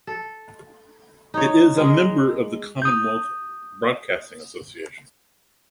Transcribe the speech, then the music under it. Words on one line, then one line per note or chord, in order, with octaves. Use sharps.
It is a member of the Commonwealth Broadcasting Association.
A4
D#4 C#5
G#3
D#6 G6